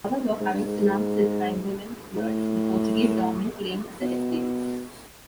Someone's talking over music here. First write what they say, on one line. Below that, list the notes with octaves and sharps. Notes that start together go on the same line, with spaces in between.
However, having financed his Angolan years, the Portuguese government claimed the estate.
G#2
G2
G#2
G#2
A2
B2